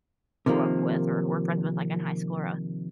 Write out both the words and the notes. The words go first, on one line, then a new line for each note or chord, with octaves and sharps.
grew up with or were friends with, like, in high school or, uh
C3 D#3 F3 A#3